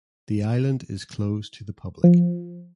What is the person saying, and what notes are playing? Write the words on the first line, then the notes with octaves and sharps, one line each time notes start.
The island is closed to the public.
F3